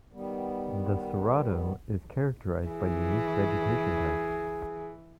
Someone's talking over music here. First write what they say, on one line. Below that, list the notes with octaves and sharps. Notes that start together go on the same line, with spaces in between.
The Cerrado is characterized by unique vegetation types.
D#3 G3 B3
E3 G#4